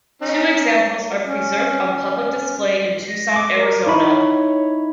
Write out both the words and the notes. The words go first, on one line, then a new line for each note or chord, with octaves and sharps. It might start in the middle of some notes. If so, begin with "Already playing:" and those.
Two examples are preserved on public display in Tucson, Arizona.
C#4 D#4
C#4
A#6
D6
A#4
D#4 E4 B5 C#6
C#5